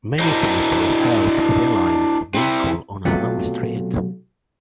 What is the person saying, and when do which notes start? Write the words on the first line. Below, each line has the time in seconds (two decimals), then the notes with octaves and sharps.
Many people help realign a vehicle on a snowy street.
0.19 D4 E4 F#4 A#4 C5 D#5
2.34 C4 E4
3.05 B1 C3 F#3 A3 F4 F#5